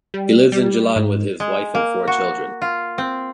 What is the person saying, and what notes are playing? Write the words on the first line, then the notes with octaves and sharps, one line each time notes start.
He lives in Gjilan with his wife and four children.
G3
G3
G#2
G#3
A#3
F#4
F4
C4